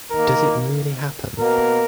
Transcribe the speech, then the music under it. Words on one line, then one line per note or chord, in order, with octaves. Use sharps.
Does It Really Happen?
D#3 A#3 A#4
B2 A#3 A#4